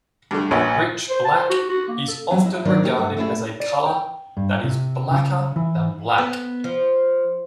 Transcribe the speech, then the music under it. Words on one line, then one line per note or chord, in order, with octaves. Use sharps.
Rich black is often regarded as a color that is "blacker than black".
G2 D3 A3
A#1 C#4 B4 F#5
C5
A5
C5
F#4
F#4
A#3
A4
E3 F#3 G3 B3 C#4
E4 D#5
D#3 F#3 D4 D#4 A#4 D5
A#3 C#4 G4 G#4 A#4
G2 A3 F#5
A3 B3 C#4 E4 G4 G#4
D5
G5
G2
C3
C#3
E3
B3
F3